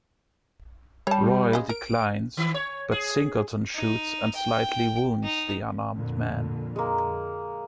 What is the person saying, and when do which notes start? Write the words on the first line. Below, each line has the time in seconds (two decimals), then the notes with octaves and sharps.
Royle declines, but Singleton shoots and slightly wounds the unarmed man.
1.07 G3 C#5 A5
1.53 C#3 G#3
1.69 A#4 D7
2.37 D#3
2.54 C#5
2.92 G#4
3.75 D#4
4.35 G5
5.24 D#4
5.92 F2 A#2 D3
6.76 G#3 A#3